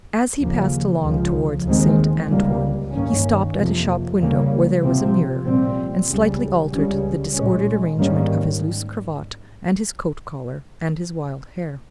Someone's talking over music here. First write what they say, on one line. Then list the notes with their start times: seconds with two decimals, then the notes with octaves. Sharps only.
As he passed along towards Saint Antoine, he stopped at a shop-window where there was a mirror, and slightly altered the disordered arrangement of his loose cravat, and his coat-collar, and his wild hair.
0.41 D#2 C#3 F3 A#3
1.04 C#2 C#3 F3
1.67 D#2 D#3 G#3 C4
2.30 C#2 C3 G3 A#3
2.93 G2 D#3 A#3 C#4
3.56 F2 C3 F3 A#3
4.20 D#2 C#3 G3 A#3
4.83 C3 F3 C4
5.46 A#2 G3 C4
6.09 C#2 C#3 G3
6.71 C#2 C#3 G3 C#4
7.34 A#2 G#3 C#4
7.98 G#2 D#3 G3 A#3 C#4